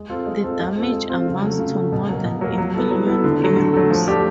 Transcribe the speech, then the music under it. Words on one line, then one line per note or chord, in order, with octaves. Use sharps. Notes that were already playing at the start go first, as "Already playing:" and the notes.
The damage amounts to more than a million euros.
Already playing: G#3
C4 F4 A4
G#3
C4 F4 A4
G#3
C4 F4 A4
G#3
C4 F4 A4
C#3
F#3 A3
C#3
F#3 A3
B2
F#3 A#3
B2
F#3 A#3
F#3
B3 E4 A4
F#3
B3 E4 A4
D3
F#3 A3
D3
F#3 A3
F3
A3 D4 G4